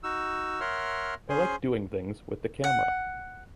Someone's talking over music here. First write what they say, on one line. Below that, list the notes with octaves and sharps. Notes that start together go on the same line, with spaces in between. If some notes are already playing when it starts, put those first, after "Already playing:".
I like doing things with the camera.
D#4 F#4 E6
A#4 C#5 E5 F#5 C6 F6
C#4 G#4 C5 G#5 C6
F#5